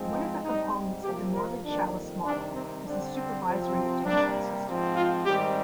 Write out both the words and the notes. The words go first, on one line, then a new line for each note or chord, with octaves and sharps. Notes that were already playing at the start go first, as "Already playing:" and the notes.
One of the components of the Norman-Shallice model is the supervisory attentional system.
Already playing: G#2 F3 G#3 C4
D#4
G#2 G3 C4 D#4
C3 F3 A#3 G4
A#4
F2 D#3 G3 A#3 D4
C3 D#3 G3 D4
C4
D3 G3 C4 D4
C4
C3 F3 C4
C3 G3 A#3 D4
G#2 F3 C4
F4
G#2 D#3 G3 C4 G4